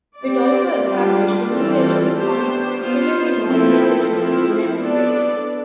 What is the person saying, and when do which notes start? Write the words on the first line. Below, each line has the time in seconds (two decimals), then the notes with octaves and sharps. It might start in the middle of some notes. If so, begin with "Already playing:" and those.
It also established limitations on Filipino immigration to the United States.
0.18 C4 G4 D5
0.84 G3 D4 F4
1.49 E3 G3 C4 F4 A4
2.15 B3 D4 G4 C5
2.80 B3 F4 C5
3.46 F3 C4 E4 A4
4.11 F3 C4 E4
4.77 B3 D4 A4 D5